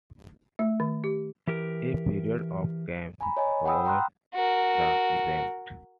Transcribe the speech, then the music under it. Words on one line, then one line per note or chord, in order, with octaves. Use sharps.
A period of calm followed the event.
A3
D#3
G4
E3 G4 A#4
G#5 A#5 B5
C#5 D#5 G#5
F#5 G5 B5 D#6 E6
G5 A#5 C6 F6 F#6
F#4 A#4